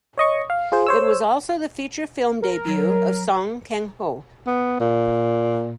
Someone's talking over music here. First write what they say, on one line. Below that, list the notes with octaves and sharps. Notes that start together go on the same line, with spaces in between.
It was also the feature film debut of Song Kang-ho.
C#5 D#5 C#6
F5
F4 G#4 C5
C5 C#5 E6
A#4
F#3
B3
A#2